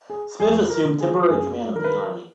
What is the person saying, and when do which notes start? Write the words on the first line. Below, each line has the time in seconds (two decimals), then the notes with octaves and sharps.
Smith assumed temporary command of the army.
0.10 G#4
0.40 F2 G#4
0.70 A#4
0.85 D3
1.00 G#4
1.30 F#2 G#4
1.75 D#3 A#4
1.84 B4
1.94 A#4